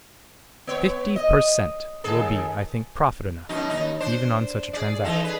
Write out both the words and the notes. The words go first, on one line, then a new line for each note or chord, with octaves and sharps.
"FIFTY PER CENT. will be, I think, profit enough even on such a transaction."
B3 C#5
D#5
D#2 G#4 A4
F#2 B2 D#4
D#2 D#4
D4 C5
G#4 D5
E3 D#4 A4
G#4 B4